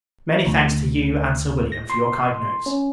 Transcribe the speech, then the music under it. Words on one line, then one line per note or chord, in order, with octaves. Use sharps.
Many thanks to you and Sir William for your kind notes.
D2
A#6
C6
C#4